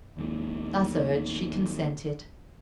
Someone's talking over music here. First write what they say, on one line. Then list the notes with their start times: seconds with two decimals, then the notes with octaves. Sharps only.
Thus urged, she consented.
0.17 D#1 D#2 G#3